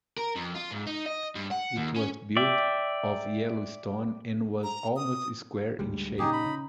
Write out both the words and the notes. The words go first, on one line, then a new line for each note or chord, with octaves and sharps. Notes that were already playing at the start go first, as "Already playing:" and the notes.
It was built of yellow stone, and was almost square in shape.
A#4
F2
F4
G#2
D#4
D#5
G2
F#5
D#2
C#4
D5 E5 G5
A#5
D#6
D2 G3 G#3
A#2 C#3 D#4 G4 G#4
B5
C#3